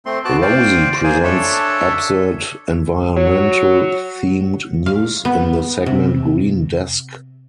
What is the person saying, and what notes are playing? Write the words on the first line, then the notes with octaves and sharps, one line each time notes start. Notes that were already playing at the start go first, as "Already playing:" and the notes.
Rosy presents absurd environmental-themed news in the segment Green Desk.
A3 C4 C6
B3 F#4 A5 D6 F#6
C5 D5 F5 G5
A#3 G#4 C5 G#5
D4 A4 C#5 E5
F#3
F5
B3
C3